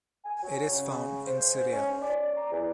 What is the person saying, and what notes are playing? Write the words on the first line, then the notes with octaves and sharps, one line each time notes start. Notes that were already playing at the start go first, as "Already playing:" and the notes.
It is found in Syria.
G#5
F#3
C#3
C5
G#2
C#4
D5
A#5
E2